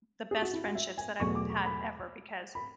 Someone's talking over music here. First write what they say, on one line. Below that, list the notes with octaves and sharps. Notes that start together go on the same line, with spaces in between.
the best friendships that I've had ever because,
G#4
F#4
E4
F#4
E5
G#5
E2 B2 F#3 A3 C#6
D6
C#6
B5
B5